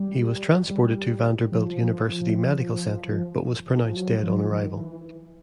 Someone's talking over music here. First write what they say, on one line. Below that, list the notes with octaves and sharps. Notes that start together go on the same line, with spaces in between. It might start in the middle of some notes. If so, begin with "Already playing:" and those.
He was transported to Vanderbilt University Medical Center but was pronounced dead on arrival.
Already playing: G3
G3
F3
F3
F#3
F3
F#3
F3
D#3
E3